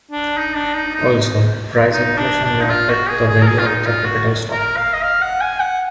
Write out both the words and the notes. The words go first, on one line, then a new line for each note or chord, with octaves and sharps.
Also, price inflation may affect the value of the capital stock.
D4
D#4
D4
D#4
D#4
D#4
D4
D4
D#4
F4
F#4
G#4
G#4
A#4
G#4
F4
D#4
F4
F#4
A#4
F5
D#5
F5
F#5
G#5
F#5